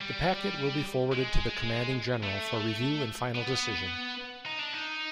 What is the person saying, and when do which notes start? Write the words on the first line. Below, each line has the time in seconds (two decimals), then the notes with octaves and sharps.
The packet will be forwarded to the Commanding General for review and final decision.
0.01 G3
1.12 G#3
2.23 A3
3.35 B3
4.46 D#4
4.59 D4
4.73 D#4